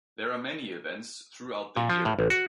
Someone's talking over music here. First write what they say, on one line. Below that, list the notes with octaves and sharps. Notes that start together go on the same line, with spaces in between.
There are many events throughout the year.
A#2
F3
A2
A1
F#4